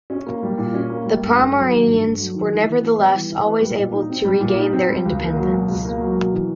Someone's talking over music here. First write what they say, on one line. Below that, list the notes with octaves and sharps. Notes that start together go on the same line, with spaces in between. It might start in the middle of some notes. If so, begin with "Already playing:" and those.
The Pomeranians were nevertheless always able to regain their independence.
C#4
A#3
G3
A#2
C#4
A#3
G3
G2
A3
F#3
D#3
G2
A3
F#3
D#3
E3
E3
B3
G3
E3
E3
B3
G3
A#2
D#4
C4
G3
A#2
D#4
C4
G3
C#2
A#3
F#3
B2
C#2
A#3
F#3
B2
E3